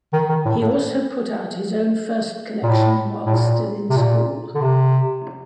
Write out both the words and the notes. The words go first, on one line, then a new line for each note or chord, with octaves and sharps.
He also put out his own first collection while still in school.
D#3
D#3
A2
A2
A#2
A2
A2
A#2
C3
A#2
D3
C3